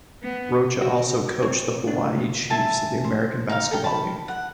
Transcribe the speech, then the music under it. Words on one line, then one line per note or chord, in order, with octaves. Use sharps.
Rocha also coached the Hawaii Chiefs of the American Basketball League.
B3
F#4
C4 C#5
D2 A2 B3 D4
E5 G#5 A5
C5
D#4 F5
A4 G5
A5 B5
F#5